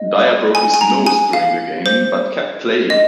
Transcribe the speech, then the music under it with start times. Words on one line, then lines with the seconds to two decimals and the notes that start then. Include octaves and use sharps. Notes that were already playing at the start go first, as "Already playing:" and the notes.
Dyer broke his nose during the game but kept playing.
Already playing: D#5
0.55 G#5
0.74 G#5
0.81 A#5
1.06 G#5
1.33 F5
1.86 C5
2.90 D#5